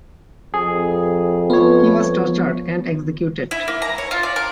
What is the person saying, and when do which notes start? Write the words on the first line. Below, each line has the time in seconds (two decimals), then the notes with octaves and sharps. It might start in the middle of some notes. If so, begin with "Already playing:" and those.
He was tortured and executed.
0.54 F2 G#4
1.50 F3 B3 F4 C#5
3.51 E4
3.68 A#3
3.82 A#5
3.98 C#5
4.11 F4
4.23 D5
4.36 A#4